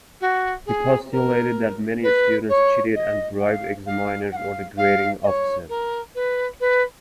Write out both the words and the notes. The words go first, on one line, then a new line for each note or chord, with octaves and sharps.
He postulated that many students cheated and bribed examiners or the grading officers.
F#4
G#4
A#4
B4
C#5
D#5
F#5
F5
F5
F#5
F5
F5
D#5
C#5
A#4
B4
B4